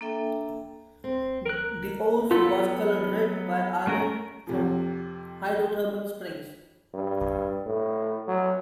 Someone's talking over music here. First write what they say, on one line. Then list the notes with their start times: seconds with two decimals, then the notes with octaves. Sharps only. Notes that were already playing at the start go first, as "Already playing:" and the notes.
The ooze was colored red by iron from hydrothermal springs.
0.01 A#3 D4 A4 E5 G5
1.04 C4
1.45 A#4 F#6
2.31 F#3 B3 F4 A4
3.87 A3 C#4 A#4
4.47 F2 C3 F3
6.94 G2
7.66 A2
8.27 F#3